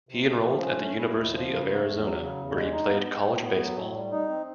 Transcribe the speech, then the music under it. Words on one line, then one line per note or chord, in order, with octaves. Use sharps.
He enrolled at the University of Arizona where he played college baseball.
C3
A3
F3
C#4
A3
E4
D#2
F3
C#3
A3
E2
F#3
C#3
E2
G#3
D#4
B3
G#3
A2
B3
F#3
A2
G3
D#4
C4